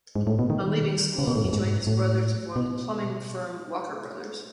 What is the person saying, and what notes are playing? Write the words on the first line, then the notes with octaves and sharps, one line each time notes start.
On leaving school he joined his brother to form the plumbing firm Walker Brothers.
G#2
A2
B2
D#3
C#3
B2
A2
F#2
G#2
A2
B2